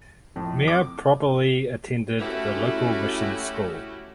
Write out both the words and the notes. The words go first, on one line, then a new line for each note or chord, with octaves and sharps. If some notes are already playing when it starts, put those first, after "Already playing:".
Mere probably attended the local mission school.
F2 A2
D6
A3 C#4 E4 F#4 G4